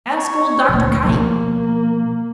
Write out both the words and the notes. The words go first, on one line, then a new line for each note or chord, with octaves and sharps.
Ask old Dr. Kite.
C#5
D2 A#2
B2 F3 A#3